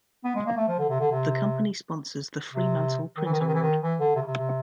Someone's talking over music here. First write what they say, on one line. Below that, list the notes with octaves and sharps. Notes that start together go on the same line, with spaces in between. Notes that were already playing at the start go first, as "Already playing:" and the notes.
The Company sponsors the Fremantle Print Award.
B3
G#3
A#3
A3
F3
D3
C3
D3
C3
C3
D#3
E3
D#3
E3
D#3
E3
D#3
E3
D3
C3
C#3
C3
C3